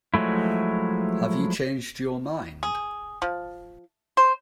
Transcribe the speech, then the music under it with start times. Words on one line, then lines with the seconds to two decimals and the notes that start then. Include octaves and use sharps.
Have you changed your mind?
0.14 F3 F#3 G#3 A3 E4
2.63 G#4
3.22 F3
4.17 C5